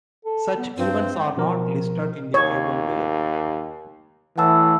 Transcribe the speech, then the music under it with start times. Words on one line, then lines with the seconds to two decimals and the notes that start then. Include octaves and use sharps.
Such events are not listed in the table below.
0.25 A4
0.58 B3
0.77 G2 C4
1.37 B2 F3 A#4
2.34 D#2 C#5
4.38 A2 E3 F#5 A5 E6